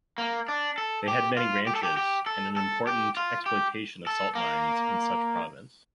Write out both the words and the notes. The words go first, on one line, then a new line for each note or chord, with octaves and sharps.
They had many ranches and an important exploitation of salt mines in such province.
A#3
D4
A4
G4
F4
G4
A4
G4
G4
A4
A4
G4
F4
G4
A4
A#3